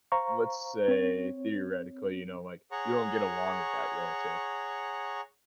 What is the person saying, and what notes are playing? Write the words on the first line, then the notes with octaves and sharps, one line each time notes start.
let's say, theoretically, you know, like, you don't get along with that relative,
C5 F5 A#5 C#6
C4 C#5
G#4 C#5 F#5 A#5 C#6